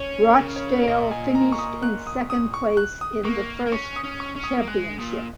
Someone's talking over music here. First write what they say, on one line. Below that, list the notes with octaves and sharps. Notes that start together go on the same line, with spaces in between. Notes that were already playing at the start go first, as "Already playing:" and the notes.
Rochdale finished in second place in the first championship.
Already playing: C#4 C#5
A#4
C#3
C#5
A#2 D#5
G#5
A#5
C#6
D#6
F#6
D#6
D#6
C#6
F#6
D#6
A#3 C#6
A#3
C#4 C#6
D#6
C#4
C#6
C#4
D#6
A#3
G#3 F#6
A#2 D#6